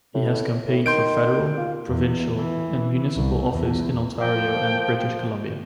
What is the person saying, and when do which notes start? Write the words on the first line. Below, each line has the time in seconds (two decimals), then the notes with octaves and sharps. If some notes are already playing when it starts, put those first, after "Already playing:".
He has campaigned for federal, provincial and municipal office in Ontario and British Columbia.
0.14 A2
0.68 A2
0.86 D#3 C6 G6 D7
1.58 F4
1.89 E2
2.36 E3
3.15 C2
3.50 E2
4.20 F3 A#3 G5